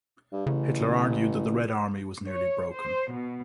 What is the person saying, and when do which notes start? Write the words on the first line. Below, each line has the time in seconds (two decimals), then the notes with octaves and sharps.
Hitler argued that the Red Army was nearly broken.
0.33 G2
0.47 A1 C#3
2.29 C#5
2.73 C5
3.14 B2